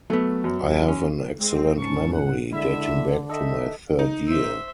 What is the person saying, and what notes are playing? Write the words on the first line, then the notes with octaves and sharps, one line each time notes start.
I have an excellent memory, dating back to my third year.
F#3 A3 B3
F#2
C#4
G#3 C4 D#4
G#2 C#4 A#4 A5 C#6
F#5
D3 G#3 E4 E5
D#4 A4 D#5 E5
D#4
C5 E5